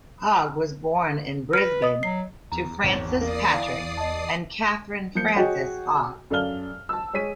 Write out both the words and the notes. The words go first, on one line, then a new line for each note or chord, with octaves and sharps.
Hogg was born in Brisbane to Francis Patrick and Catherine Frances Hogg.
B4 F6 A#6
D#5 D#6
F#3 C7
E2 A#5
G#1 C#5
A#3 A#4 D5 D#6 C7
E3 F5
D#5 A5
F3 A#3 G6 C#7
F#4 G#4 C#5 D#5 G5
F#2 A4 D5 F5 F6 G7
A5 E6
G#3 G#4 C#5 B6 D#7